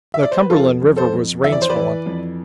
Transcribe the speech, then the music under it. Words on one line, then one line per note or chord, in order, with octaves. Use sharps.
The Cumberland River was rain-swollen.
E5
D5
C5
B4
F2 F4 A4
F2
A4 C5
F2
E3 E5
D5
C5
B4 D5
E3
F2